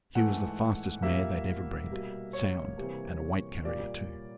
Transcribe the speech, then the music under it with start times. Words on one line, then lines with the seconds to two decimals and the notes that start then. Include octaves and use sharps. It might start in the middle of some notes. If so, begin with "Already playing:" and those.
She was the fastest mare they'd ever bred--sound, and a weight-carrier too.
0.15 G#2 E3 A3 F#5
1.02 A#2 G3 A#3 E5
1.91 B2 G3 A#3
2.33 C#5
2.78 C3 E3 G3 A#3
3.65 A#2 G3 A#3 D5